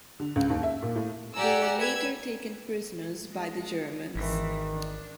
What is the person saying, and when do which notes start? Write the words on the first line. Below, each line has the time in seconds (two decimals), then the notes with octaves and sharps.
They were later taken prisoners by the Germans.
0.20 D3
0.36 C#2
0.50 D#2
0.63 E5
0.82 A#2
0.95 A2
1.36 G4 D5 F#5 G#5 A#5 E6
1.78 B4 E6 G#6
3.30 G#3 C4
4.15 G#1 D#3 E3
4.73 D4